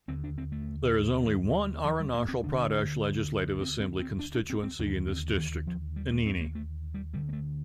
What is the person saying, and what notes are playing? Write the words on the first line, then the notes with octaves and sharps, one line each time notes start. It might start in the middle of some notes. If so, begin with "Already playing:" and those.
There is only one Arunachal Pradesh Legislative Assembly constituency in this district: Anini.
D#2 D3 C4
D4
C4
A3
D#3
F3
G3
A#3
C4
D2 D3 D4
C4
C4
C4
D4
D4
C4
C4
D#2 D3 D4
C4
D#3
F3
G3
A3
C4
A#3
A3
G3
D2 D3 G3
A#3
A3